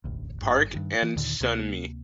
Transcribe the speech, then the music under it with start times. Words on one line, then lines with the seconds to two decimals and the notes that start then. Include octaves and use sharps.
Park and Sunmi.
0.04 E1 A1 D2
0.42 G#1 G2
0.75 G2 D#3
1.02 E3
1.16 D#2 A#2 D3 D#3
1.40 D2 C3 F#3 A#3